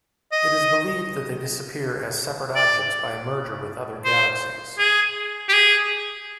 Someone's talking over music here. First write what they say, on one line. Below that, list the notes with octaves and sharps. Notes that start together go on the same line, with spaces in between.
It is believed that they disappear as separate objects by merger with other galaxies.
D#5
D5
C5
G#4
G4
G#4